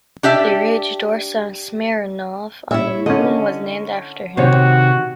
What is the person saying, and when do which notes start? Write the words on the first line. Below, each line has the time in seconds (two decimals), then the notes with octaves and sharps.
The ridge Dorsa Smirnov on the Moon was named after him.
0.23 D4 G4 D5 E5
2.71 E4 C#5 E5
3.06 D3 C#4 D#5
4.37 C3 D#3 F#4 C5 C#5